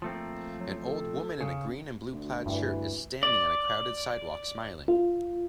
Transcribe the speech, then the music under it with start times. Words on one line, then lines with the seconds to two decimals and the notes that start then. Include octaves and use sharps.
An old woman in a green and blue plaid shirt is standing on a crowded sidewalk smiling.
0.02 F3 A3 A#3 C4
0.58 F#3
0.85 A4
1.41 C#3
2.12 D2
2.46 G2 E3
3.23 D5
4.88 F4